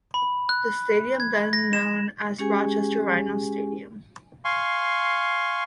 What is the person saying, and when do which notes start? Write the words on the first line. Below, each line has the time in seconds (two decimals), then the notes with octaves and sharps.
The stadium then became known as Rochester Rhinos Stadium.
0.14 B5
0.49 F#6
1.20 G#6
1.53 A#6
1.73 E7
2.39 G#3 C#4 G4 G#4 G#5
4.45 F5 G#5 C6 C#6